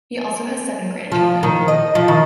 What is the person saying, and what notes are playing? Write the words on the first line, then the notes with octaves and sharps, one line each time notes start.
He also has seven grandchildren.
F3
D#3
D#5
F3
D#3